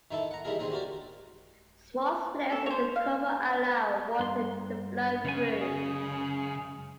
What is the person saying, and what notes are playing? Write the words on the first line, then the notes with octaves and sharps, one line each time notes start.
Small slits in the cover allow water to flow through.
D#3 D#4 E4 A4
F#5 A#5
E3 G3 D#4 E4 G#4 A#4
D3 D#3 C4 D#4 G#4
F#4 G4 A#4 D5
A4
C5 C#5
F5
G2 C6
F#2 C#3 G#3 G#5
G#4